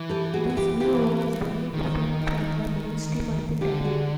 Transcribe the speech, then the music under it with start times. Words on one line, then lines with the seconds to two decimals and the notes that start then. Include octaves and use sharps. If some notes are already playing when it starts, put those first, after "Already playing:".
This view was very different from the mainstream at the time.
Already playing: E3
0.09 G4 A4
0.34 F#4 G#4
0.50 G#4
0.56 F4 G4
0.80 E3 F4 G4
1.73 D#3
3.61 D3 F4 G4
3.85 F#4 G#4